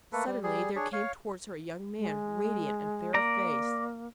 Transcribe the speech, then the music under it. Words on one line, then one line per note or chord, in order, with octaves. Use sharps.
Suddenly there came towards her a young man radiant and fair of face.
A3 A#3 A4 B4
G3
G3 G#4
D4 G#4 C#5
C#5 F5
G#3
A#3 D5 A#5